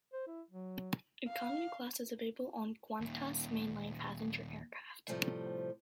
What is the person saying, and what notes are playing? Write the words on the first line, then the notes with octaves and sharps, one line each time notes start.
Economy class is available on all Qantas mainline passenger aircraft.
C5
E4
F#3
F5
D#2 A#2
A2 C3 F3 G3 A3